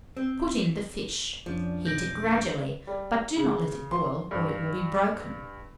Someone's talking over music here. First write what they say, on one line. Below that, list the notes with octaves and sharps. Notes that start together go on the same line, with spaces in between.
Put in the fish; heat it gradually; but do not let it boil, or it will be broken.
C4
F2 F3 C#4 D4
B1 G6 A#6 D7
G3
C#3
C6
G2